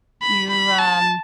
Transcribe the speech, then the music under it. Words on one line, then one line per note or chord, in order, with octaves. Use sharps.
"You" um,
B5
B5
A5